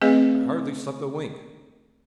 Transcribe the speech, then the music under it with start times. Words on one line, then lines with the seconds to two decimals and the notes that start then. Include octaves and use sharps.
"I hardly slept a wink."
0.02 A3 C4 G#4 B4 D#5